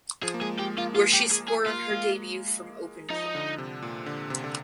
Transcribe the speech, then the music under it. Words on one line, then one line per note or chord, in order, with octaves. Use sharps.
Where she scored on her debut from open play.
F3 G#4
A#3
G#3 G#4
G#3 G4
A#3 F4
F4
G4
G#4
G#4
A#3 F4
G#3
F3 D#4
D3
C3
A#2
D3
C3
D3